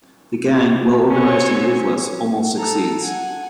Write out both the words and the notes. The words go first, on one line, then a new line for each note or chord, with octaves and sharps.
The gang, well-organized and ruthless, almost succeeds.
C4 C#4 C#5
A4 A#5
F#5 G#5